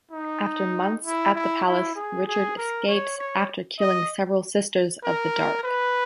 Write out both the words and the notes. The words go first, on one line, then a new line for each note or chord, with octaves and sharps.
After months at the Palace, Richard escapes after killing several Sisters of the Dark.
D#4
E4
E4
E4
G#4
G#4
A#4
C#5
C#5
D#5
A#4
B4